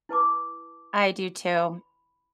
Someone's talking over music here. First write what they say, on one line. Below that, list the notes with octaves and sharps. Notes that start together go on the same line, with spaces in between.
I do, too.
E4 B4 A5 D6
B5